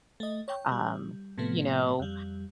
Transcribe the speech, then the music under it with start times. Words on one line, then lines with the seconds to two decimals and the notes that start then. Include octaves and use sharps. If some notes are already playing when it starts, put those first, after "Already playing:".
um, you know,
0.20 A3 D#5
0.48 C#5 G5
0.72 G3
1.38 A2 C3 F3 A3 B3
2.00 F2 G3